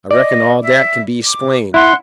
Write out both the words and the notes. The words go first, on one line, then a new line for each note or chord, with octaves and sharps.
"I reckon all dat kin be 'splained."
D5 D#5
E5
D6
E4 F#5 C6 F#6